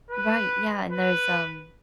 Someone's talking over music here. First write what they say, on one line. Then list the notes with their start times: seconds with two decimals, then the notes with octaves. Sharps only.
Right, yeah, and there's, um
0.11 B4
0.92 B4